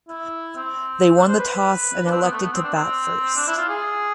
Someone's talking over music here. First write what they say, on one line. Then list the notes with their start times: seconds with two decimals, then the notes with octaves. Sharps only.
They won the toss and elected to bat first.
0.09 E4
0.56 C4
1.18 D4
1.28 C5
1.38 B4
2.06 D4
2.12 C4
2.22 B3
2.33 A3
2.43 B3
2.53 C4
2.64 D4
2.74 C4
3.36 D4
3.47 E4
3.58 F4
3.69 G#4